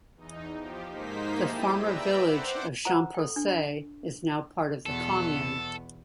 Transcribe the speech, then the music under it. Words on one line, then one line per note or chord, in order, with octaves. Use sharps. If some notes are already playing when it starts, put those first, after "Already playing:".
The former village of Champrosay is now part of the commune.
E2 D#4
F3 G4
G#2 A#3 D#4 C5 B6
E4 G4 G#4 A5 D#7
B4 D5 E5 G5 A#5 E6
C5 F#5 D6
C5 F#5 A#5
A4 G5
D4
E2 B2 B3 A4